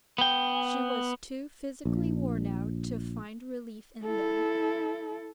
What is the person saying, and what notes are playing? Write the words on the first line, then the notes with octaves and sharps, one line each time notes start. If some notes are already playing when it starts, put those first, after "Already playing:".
She was too physically worn out to find relief in them.
B3 G5
A#1
E4 A4